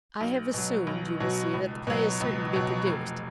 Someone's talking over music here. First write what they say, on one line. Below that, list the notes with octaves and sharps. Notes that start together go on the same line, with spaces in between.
I have assumed, you will see, that the play is certain to be produced.
B1
B2 F#3
B1
B2 F#3
C#2
B2 F#3
C#2
B2 F#3
F1